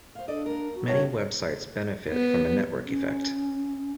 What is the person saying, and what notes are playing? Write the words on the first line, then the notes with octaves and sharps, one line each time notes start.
Many web sites benefit from a network effect.
C5 F5
D4 A4 D5 D#5
A#3 A#4
F#4
G2 D#3 C#5
B3
C#4